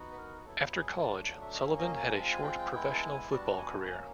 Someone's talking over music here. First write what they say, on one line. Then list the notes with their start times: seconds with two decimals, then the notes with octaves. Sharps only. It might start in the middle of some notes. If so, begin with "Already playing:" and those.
After college, Sullivan had a short professional football career.
Already playing: B3 D#4 F#4
0.12 B4
0.18 A#4
0.45 F#3 B3 E4 A4
0.75 G#4
1.02 F#3 A3 D4 D5
1.41 E5
1.55 D#5
1.59 F#3 A#3 C#4 E5
1.78 D#5
1.97 G#5
2.16 G#3 C4 F4 A5
2.31 G#5
2.44 G5
2.58 G5
2.72 G#3 B3 E4 G5
2.92 A5
3.11 G#5
3.30 G3 B3 D4 F#4 A5
3.58 G#5
3.86 F#3 A#3 C#4 G#5